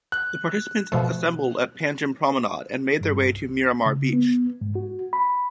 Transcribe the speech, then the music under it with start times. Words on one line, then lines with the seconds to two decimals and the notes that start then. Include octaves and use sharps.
The participants assembled at Panjim Promenade and made their way to Miramar Beach.
0.12 F#6
0.92 B2 F3 A3
3.01 G2
3.33 C2
3.86 C#3
4.13 B3
4.61 G#2
4.75 F#4
5.13 B5